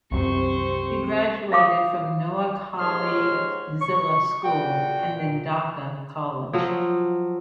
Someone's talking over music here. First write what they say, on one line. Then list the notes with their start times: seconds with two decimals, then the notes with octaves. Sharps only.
He graduated from Noakhali Zilla School and then Dhaka College.
0.12 C2 F#2 C3 C4 C5 C#6
1.52 E5 F5 D6 D#6
2.79 D#2 G#2 C#5 C6 F6
3.81 C#6
4.44 A#2 F#4 G5
5.23 A#2
6.53 F3 F#3